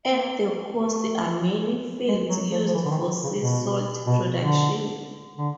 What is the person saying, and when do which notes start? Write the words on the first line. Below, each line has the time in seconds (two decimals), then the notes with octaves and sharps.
At the coast are many fields used for sea salt production.
0.09 A#3
0.75 A3
2.08 G#3
2.29 F#3
2.51 F3
2.68 F3
2.73 E3
2.85 D3
2.90 D#3
3.23 C#3
3.39 B2
4.06 B2
4.39 D3
5.38 D3